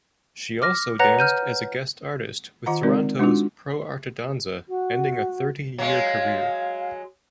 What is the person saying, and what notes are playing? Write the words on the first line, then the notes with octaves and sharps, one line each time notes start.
She also danced as a guest artist with Toronto's ProArteDanza ending a thirty-year career.
D6 F6 A#6
B4 C#5 F#5 A#5 F#6 A#6
F6 G6 D#7
D#3 F4 D#5 F#5 A#5
G#3 C4 D#4 A#4 D5
G#3 D4 D#4 F4 F#4
F#4
F#3 G#3 F5